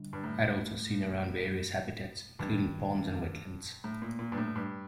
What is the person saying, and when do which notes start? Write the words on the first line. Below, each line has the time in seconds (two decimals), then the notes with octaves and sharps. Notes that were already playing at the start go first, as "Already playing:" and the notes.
Adults are seen around various habitats including ponds and wetlands.
Already playing: D3 G3 D4
0.13 G2
0.24 A2
2.39 G2 D#3 A3 D4
3.84 A2
4.02 A#2
4.19 A#2
4.32 G2
4.38 A2
4.56 G2